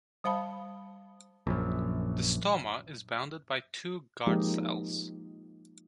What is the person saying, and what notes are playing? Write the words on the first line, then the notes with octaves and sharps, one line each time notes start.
The stoma is bounded by two guard cells.
G3 C5 F5 A5 B5
A#1 F#2
F3 G#3 A#3 D#4 F4 G4